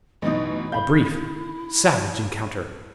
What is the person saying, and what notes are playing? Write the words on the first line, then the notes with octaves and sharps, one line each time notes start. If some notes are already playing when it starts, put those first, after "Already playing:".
A brief, savage encounter.
A1 F#2 B2 D#4 E4 D#5
F5 B5 G6